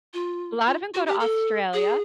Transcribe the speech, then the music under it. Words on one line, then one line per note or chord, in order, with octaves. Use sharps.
A lot of 'em go to Australia.
F4
F4
F#4
G4
A4
G#4